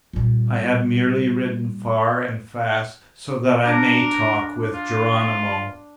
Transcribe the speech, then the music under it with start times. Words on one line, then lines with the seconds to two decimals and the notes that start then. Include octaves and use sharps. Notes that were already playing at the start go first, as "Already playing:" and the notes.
"I have merely ridden far and fast so that I may talk with Geronimo."
0.13 A#2 G3
3.65 D4 A#4 D5
4.74 F4